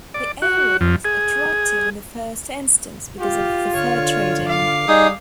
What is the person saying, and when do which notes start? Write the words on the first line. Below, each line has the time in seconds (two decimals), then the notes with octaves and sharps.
The area was attractive in the first instance because of the fur trading.
0.14 D5
0.42 F#4
0.81 F2
1.05 G#4
3.19 F4 G4
3.74 D3 C#5
4.46 F5 D6
4.88 G3 D#4 G#4 D#6